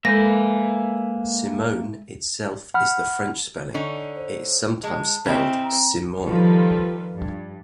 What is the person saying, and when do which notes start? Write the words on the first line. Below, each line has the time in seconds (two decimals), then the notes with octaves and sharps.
"Simone" itself is the French spelling; it is sometimes spelled Simonne.
0.05 G#3 A#3 A4 B4 E5 G#5 G6 A#6
2.74 F#5 B5 F6
3.74 D3 C#4 D#4
4.16 C5
4.84 G#3 A5
5.26 C#3 C4 E4 D#5
5.64 A#5
6.27 D#3 F3 G3 F4 A4 B4
7.17 G2